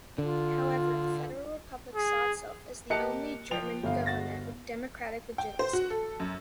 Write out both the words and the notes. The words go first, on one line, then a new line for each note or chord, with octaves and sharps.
However, the Federal Republic saw itself as the only German government with democratic legitimacy.
D3 F4
G#4
A#3 G4 D#5 A5 F#6 C#7
F3 G5 F7
G1 F5
F#4 A6 A#6
G5
C5
F#4
A4
F#2